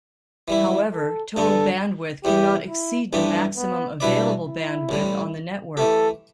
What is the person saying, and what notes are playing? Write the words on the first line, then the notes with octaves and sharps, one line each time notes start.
However total bandwidth cannot exceed the maximum available bandwidth on the network.
E3 G3 E4
A4
G2 D3 B3 A4
E2 E3 B3 G4
E4
A1 G2 E3 B3 D4 G4
B3
B2 G3 D4 E4 B4 D5
E4
A1 A2 G3
E3 A3 G4 A4